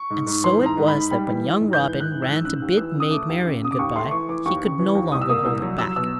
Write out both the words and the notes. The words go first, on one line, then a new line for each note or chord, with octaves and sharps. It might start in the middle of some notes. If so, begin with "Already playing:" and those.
And so it was that when young Robin ran to bid Maid Marian good-bye, he could no longer hold it back.
Already playing: C#6
G#2
G#2
E3 C6
G#2
A#5
G#2
B5
G#2
G3
E3
E3
G#2
G6
E3 F#6
G#2
F#6
E3
E6
G#2
C#3 F#6
D#2
E3 E6
C#3
D#6
A3 D6
D#2
C#3
C#3 D#6
D6
D#2 C#6
A3 C6
E3 C#6
E3 D6
D#2 C#6
C#3
E3
D#2
C2 D#6
E6
A#3 D#6
C2
F#3
F#3 E6
B2 E6